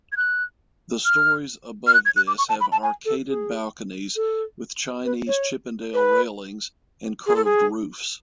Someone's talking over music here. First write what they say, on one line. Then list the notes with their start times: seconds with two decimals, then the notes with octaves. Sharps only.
The storeys above this have arcaded balconies with Chinese Chippendale railings and curved roofs.
0.12 G#6
0.17 F#6
1.05 F6
1.87 F6
1.94 F#6
2.05 G#6
2.16 F#6
2.27 D6
2.38 C#6
2.49 A5
2.61 B5
2.72 A5
2.83 G#5
3.05 A4
3.28 G#4
4.16 A4
5.05 B4
5.27 C#5
5.94 B4
7.27 G#4
7.36 A4
7.45 G#4